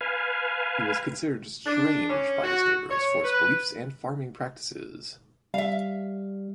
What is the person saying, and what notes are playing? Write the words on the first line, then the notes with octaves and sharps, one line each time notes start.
He was considered strange by his neighbors for his beliefs and farming practices.
B4 F5 G#5
D4
C#4
F#4
C#5
B4
G3 E5 F5